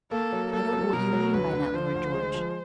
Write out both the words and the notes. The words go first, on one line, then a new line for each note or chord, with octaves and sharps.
"I don't know what you mean by that, Lord George."
A#3 A4
F#3
A#3 A4
F#3
B2 A#4
F#3
D2 B4
D3
F3 C5
D2
G#3
F3